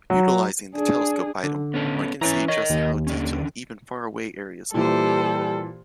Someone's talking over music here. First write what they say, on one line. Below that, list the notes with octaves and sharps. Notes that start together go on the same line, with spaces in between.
Utilizing the telescope item, one can see just how detailed even far-away areas are.
F#3
D4 G#4
D3
B3 C#4 A4
E3 C#4 C#5 A#5
A#4 C#5 D#5
D#2
D3 D#3 C#4
A#2 E3 G3 G4 A4 C5